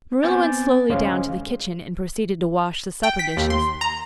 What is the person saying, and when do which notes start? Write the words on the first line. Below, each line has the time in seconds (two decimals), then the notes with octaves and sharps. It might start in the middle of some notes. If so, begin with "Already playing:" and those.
Marilla went slowly down to the kitchen and proceeded to wash the supper dishes.
0.23 B3 C4 G#5 D6 G6 A6
0.89 D2 G#3 C#4 G#4 C5 F5
3.03 G5
3.19 B6
3.37 D#2
3.50 C6
3.81 A#5